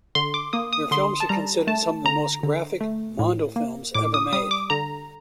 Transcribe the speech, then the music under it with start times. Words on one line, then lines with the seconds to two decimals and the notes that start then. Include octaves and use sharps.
Their films are considered some of the most graphic Mondo films ever made.
0.15 D3 C6
0.34 D6
0.53 A#3 D#6
0.73 D#6
0.91 D3 C6
1.20 A5
1.29 G3 A#5
1.67 A3 A5
2.05 D3 A#5
2.43 D3
2.81 A3
3.19 A2
3.56 A#3
3.94 A2 D6
4.14 D#6
4.33 G3 D#6
4.51 D6
4.70 D3 A#5